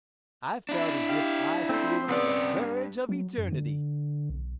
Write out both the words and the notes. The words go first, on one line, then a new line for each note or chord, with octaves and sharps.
I felt as if I stood on the verge of eternity.
D4 E4
G4 F5
A3 C4 C5
B1 C#3 B3 D5
G2
F#3
F#2
D3
B1